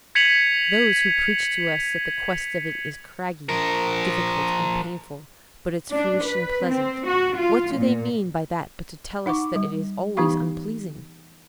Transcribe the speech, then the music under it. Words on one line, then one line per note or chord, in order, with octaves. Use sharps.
Those who preach to us that the quest of it is craggy, difficult, and painful, but its fruition pleasant, what do they mean by that but to tell us that it is always unpleasing?
G#6 B6 C#7 D#7 F7 F#7
F3 A#4
D4
B4
C4
F#4
F4
A#2
D#4 F#5 C#6 D6
G3
E3 B3 D#4 G4 F5 C#6